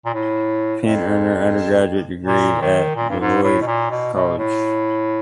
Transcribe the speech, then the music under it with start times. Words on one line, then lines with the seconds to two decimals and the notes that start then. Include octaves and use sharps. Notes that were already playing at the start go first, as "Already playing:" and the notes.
Penn earned their undergraduate degree at Beloit College.
0.05 A#2
0.14 A2
0.84 F2
2.26 A#2
2.61 D#3
2.96 A#2
3.09 G2
3.19 G#2
3.43 A2
3.61 B2
3.67 A#2
3.90 B2
4.14 B2
4.38 A2